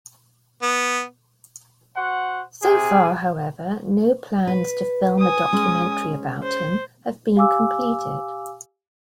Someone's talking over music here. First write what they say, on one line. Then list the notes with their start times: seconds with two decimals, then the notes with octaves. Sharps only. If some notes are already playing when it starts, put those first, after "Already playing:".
So far, however, no plans to film a documentary about him have been completed.
0.62 B3
1.97 F#4 C5 F#5
2.63 C3 G#4
4.47 B4
5.19 G#5 D#6
5.53 G#3 C#4
6.43 C5
7.36 G4 F5 G#5 D6 E6